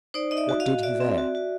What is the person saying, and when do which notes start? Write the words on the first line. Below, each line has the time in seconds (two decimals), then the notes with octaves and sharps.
What did he there?
0.14 D#4 C5 D5
0.31 D#4 D#5
0.37 D5 E5
0.49 F#4
0.60 D#5 F5
0.66 F#4
0.83 F#4 D5 E5
1.00 C4
1.18 F#4
1.35 F#4